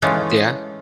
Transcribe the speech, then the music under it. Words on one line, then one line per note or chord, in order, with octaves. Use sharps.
M Yeah.
E3 G#3 A3 C#4 D#4 F4